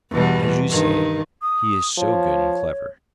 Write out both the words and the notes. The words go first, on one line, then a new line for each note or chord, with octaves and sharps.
As you say, he is so good and clever.
E2 B2 G3
G2 D#3
D#6
F3 C#5